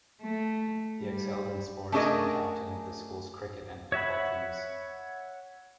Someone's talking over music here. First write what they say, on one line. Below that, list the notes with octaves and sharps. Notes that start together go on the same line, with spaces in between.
He excelled in sports and captained the school's cricket and football teams.
A3
G3
A3 C#4 D4 G#4 A#4 D#5
C#5 E5 F#5 B5